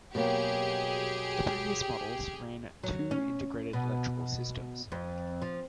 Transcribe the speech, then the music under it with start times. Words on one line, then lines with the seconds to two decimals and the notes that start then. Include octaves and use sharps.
The previous models ran two integrated electrical systems.
0.15 B2 F#3 A#3 G4 G#4
2.83 F#3
3.11 C#4
3.73 B2
4.92 F2
5.42 F3